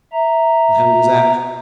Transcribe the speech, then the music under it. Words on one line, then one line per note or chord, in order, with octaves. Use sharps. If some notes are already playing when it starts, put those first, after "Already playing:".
The hand is out.
E5 A#5